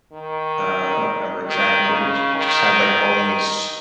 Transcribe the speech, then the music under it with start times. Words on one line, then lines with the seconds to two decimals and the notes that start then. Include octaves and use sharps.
uh, I don't remember exactly, but it j just had, like, all these
0.13 D#3
1.46 D#3
1.90 C#3
2.35 D#3